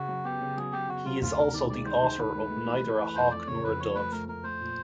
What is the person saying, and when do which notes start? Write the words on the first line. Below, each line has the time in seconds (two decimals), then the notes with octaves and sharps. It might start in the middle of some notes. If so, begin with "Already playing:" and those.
He is also the author of 'Neither a Hawk Nor a Dove.
Already playing: C#3 F#4
0.08 F#3
0.24 B3 G4
0.41 C#3
0.57 F#3 G#4
0.72 F#3 G4
0.89 C#3 F#4
1.05 F#3 F4
1.21 D2 F4
1.37 C3 A#4
1.53 D#3 D5
1.70 G#3 D5
1.85 D#3 C5
2.03 D#3
2.18 D#3 B4
2.35 G#3
2.50 A3
2.67 E3
2.83 A3
3.00 E3
3.15 F2 C5
3.31 A3 D5
3.47 C#3 C#5
3.64 F2 B4
3.80 F3 C#5
3.95 A3 B4
4.12 A3 A#4
4.28 A3 A#4
4.44 A3 C5
4.61 A#2